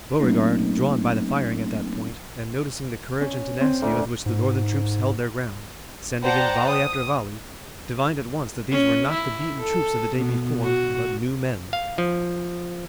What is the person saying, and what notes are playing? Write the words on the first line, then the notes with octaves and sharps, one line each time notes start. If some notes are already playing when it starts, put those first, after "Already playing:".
Beauregard, drawn by the firing at that point, and noticing the courage and tenacity with which the Northern troops held their ground, sending in volley after volley, divined at once that these were not the beaten troops of the day before, but new men.
F#3 A3 A#3 C4 C#4 D#4
C#4
C4
D2
G#2
C5 D5 F#5 G5 A5 A#5
D#6
C#4
E4
A4
B2
F#4
F5
F3